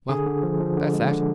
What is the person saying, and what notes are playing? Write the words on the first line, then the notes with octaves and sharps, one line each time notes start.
Well, that's that.
D3 G#4
D3
F3
F3
D3
G#3
D3